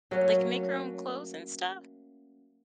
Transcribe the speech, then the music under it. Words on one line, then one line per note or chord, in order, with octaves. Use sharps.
like, make our own clothes and stuff.
F#3 A3 A#3 C#4